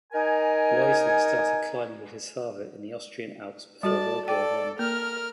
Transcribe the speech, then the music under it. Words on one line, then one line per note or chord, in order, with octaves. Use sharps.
Wiessner started climbing with his father in the Austrian Alps before World War One.
D#4 A#4 G#5
G3 F#4 A4 D5 A5
A4 D5 G5
A#3 A#4 F6